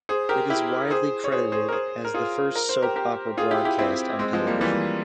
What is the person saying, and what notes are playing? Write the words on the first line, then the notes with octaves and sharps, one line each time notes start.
It is widely credited as the first soap opera broadcast on television.
G#4 C5
G4 A#4
E4 G4
G#4 C5
C#5
G#4 C5
G#4 C5
A#4
G#4 C5
A#4
F4 G#4
A#4
C5
G4 A#4
G4 A#4
F4 G#4
E4 G4
E4 G4
C4 E4
G#3 C4
F3 G#3
G3 A#3
E3 G3